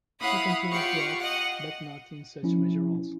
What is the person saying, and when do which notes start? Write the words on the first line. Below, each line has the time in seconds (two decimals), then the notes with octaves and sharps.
She continued to act but not in such major roles.
0.20 E4 C#5 F5 F#5 B5 D#6
0.70 F4 G4 F5 F#5 C#6
1.19 D#5 F#5
2.43 F3 C#4 E4